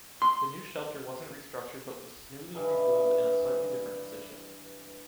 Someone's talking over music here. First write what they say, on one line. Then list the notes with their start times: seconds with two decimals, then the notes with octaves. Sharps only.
The new shelter wasn’t restructured but was newly rebuild in a slightly different position.
0.22 C6
2.55 G2 E3 D#5